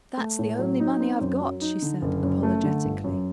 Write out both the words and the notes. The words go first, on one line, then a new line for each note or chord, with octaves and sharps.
"That's the only money I've got," she said apologetically.
A3
A2
F#3
D#4
C4
F#2
F#3
D#4
D3
F#1
F#2
A3
D3
G1
F#2